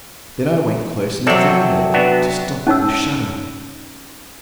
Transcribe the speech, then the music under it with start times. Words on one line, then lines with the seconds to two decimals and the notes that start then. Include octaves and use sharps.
Then I went close and examined it, to stop with a shudder.
1.27 C3 F#3 C4 A4 D5
1.94 B3 D4 F#4
2.67 C#4 D#4 C#5 E6